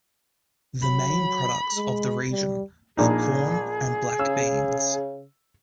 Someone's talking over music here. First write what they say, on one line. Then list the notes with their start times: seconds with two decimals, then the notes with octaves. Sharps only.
The main products of the region are corn and black beans.
0.82 F#3 B5
1.74 G#3
2.31 G3
2.97 A#1 A#2 D#4 G#4
4.20 C#3 E6